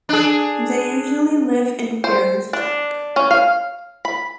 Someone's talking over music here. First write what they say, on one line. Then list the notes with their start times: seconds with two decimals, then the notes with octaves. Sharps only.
They usually live in pairs.
0.09 D4 G#4
2.04 C5
2.53 D4
3.16 C#4
3.31 F5
4.05 B5